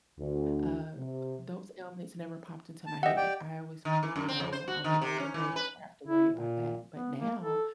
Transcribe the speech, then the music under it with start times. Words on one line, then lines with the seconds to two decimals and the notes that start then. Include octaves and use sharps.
uh, those ailments never popped into my head. I always figured, "Oh, I'll be old and gray before I have to worry about that." But now,
0.19 D2
0.96 C3
2.86 A5
3.03 G4 D#5 E5 F#5
3.17 G4 D5 G5
3.85 D#3
4.03 E3
4.16 F#2
4.28 C4
4.40 F2
4.53 C5
4.68 F#4
4.84 D#3
5.02 C3
5.20 C#4
5.34 E3
5.56 B4
6.07 E4
6.32 A#2
6.95 B3
7.18 A#3
7.43 A4